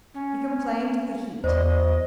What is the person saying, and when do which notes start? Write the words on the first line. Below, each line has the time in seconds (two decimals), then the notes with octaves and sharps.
He complained of the heat.
0.14 C#4
1.44 E2 C5 D5 D#5